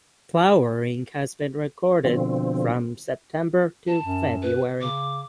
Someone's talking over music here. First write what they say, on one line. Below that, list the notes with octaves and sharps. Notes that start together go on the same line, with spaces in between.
Flowering has been recorded from September to February.
B2 D3 F3 C4
A5
F#2
B4
C#3 D6